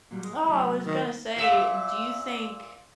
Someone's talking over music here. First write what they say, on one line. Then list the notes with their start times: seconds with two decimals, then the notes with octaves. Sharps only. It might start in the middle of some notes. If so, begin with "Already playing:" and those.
Oh, I was gonna say, do you think
0.11 A#2 F#3 G3
0.24 G#3
0.48 C3 F#3 A3
0.86 D#3
1.36 A#2 E5